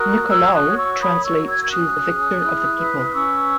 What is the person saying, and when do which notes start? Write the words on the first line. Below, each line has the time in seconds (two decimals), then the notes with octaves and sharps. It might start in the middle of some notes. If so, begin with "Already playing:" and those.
Nicolaou translates to the "Victor of the People".
Already playing: F#4 A#4 D#6 F#6
0.29 F#4 E6 G#6
0.53 D#6 F#6
0.65 C#5
0.76 C#6 E6
0.94 E6
1.00 A#4 B5 D#6
1.24 C#6 E6
1.35 F#4
1.48 E6 G#6
1.63 G#6
1.71 C#4 D#6 F#6
2.06 G#4
2.42 E4
2.77 B4
3.08 F#6
3.12 C#4 C#6 E6